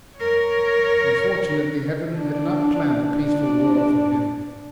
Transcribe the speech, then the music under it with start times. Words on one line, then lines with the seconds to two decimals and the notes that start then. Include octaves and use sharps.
Unfortunately Heaven had not planned a peaceful world for him.
0.16 A#4 C#5
2.17 D4
3.16 D4